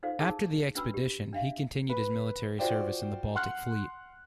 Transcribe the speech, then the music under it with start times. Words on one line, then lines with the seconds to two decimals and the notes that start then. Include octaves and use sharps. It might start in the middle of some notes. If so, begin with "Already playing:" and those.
After the expedition, he continued his military service in the Baltic Fleet.
0.03 D#4 F4 A4 C5 F5
0.20 D#4 G#4 A#4 A5 D6 D#6
0.75 C#4 D4 F#4 B4 B5 E6
0.94 G4
1.33 D4 E5 F5
1.89 B4
2.59 F4 F#4 C5 D5 G5
3.35 F#5 C6 F6 F#6